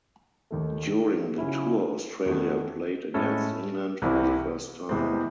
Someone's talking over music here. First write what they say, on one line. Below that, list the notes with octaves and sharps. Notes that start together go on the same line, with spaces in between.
During the tour Australia played against England for the first time.
D#2 D#3 A3
C#3 F#3 C#4 E4
E2 D#3 A3 C4 F#4
A2 G#3 C#4 E4 A4
C2 C3 E3 C4 E4
E2 C3 E3 G#3 C4